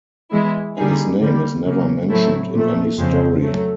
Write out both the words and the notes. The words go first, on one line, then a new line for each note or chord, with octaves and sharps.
His name is never mentioned in any story.
E3 G#3 B3 E4
D3 G3 A#3 D#4 G#4
D3 G3 A#3
C#3 F#3 A#3
A2 F#3 A3 C4 E4
A#2 F3 A3
F2 C#3 F3 G#3 C4
F#3 A3